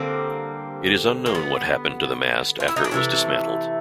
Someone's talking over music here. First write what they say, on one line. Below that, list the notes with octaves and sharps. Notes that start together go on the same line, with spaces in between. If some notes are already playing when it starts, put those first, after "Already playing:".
It is unknown what happened to the mast after it was dismantled.
Already playing: D3 G3 A#3 C4
A#3
B3
F4
E4
D#4
D4
C3 E3 A3 C#4